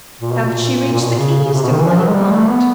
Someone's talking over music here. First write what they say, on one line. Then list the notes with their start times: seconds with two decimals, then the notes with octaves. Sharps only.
How could she reach the keys to play upon it?
0.21 A#2
0.32 B2
0.43 A#2
0.92 A#2
1.01 B2
1.10 A#2
1.18 C#3
1.44 C#3
1.53 C3
1.62 B2
1.71 D#3
1.79 E3
1.88 F3
1.98 F#3
2.08 G#3
2.14 G3
2.32 A3
2.49 B3